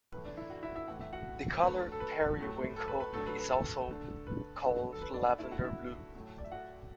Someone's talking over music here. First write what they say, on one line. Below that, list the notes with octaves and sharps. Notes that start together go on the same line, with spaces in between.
The color periwinkle is also called lavender blue.
A2 E3 A3 B4
D4 D5
E4 E5
F#4 F#5
E4 E5
E4 E5
A2 E3 A3 F#5
E5
F#4 F#5
D3 F#3 A3 B4
A4
B4
A2 F#3 A3
A4
B4
B4
D3 F#3 A3 A4
B4
B4
A4
D3 A3
B4
D3 F#3 A3
A4
B4
D4 D5
D3 A3 E4 E5
F#4 F#5
E4 E5
A2 F#3 A3
D5
E5
F#4 F#5